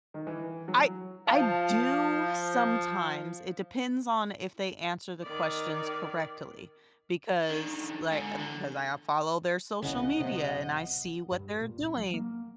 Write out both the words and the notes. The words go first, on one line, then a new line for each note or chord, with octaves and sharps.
I I do sometimes, it depends on if they answer the questions correctly, because, like, I've 'cause I I follow their social media and I see what they're doing.
D#3
E3
F#3
F3 F5 A5
D#3 D5
D3 D#3
G#2 D3
E2 D3
D#1 C2 C#3 D#5 F#5
D1 C3
G2
A#2
C#2
F#3
A#3